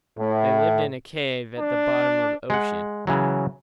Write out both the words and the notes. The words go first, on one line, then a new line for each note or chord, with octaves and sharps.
They lived in a cave at the bottom of the ocean.
A2
D4
G#3 F#5
C#3 E3 F#3